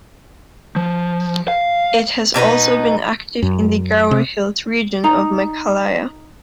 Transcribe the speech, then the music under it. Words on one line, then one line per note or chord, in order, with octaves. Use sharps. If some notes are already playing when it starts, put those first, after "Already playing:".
It has also been active in the Garo Hills region of Meghalaya.
F3
F5
B2 D4 D#4 B4
F#2
C3
D#4 A#5